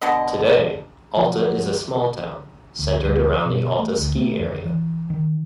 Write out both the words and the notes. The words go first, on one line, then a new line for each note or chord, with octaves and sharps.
Today, Alta is a small town, centered around the Alta Ski Area.
B2 D3 B3 D#5
F3 F#3
D2
D2
B2
A3
D2
A3
F2
E3
D#3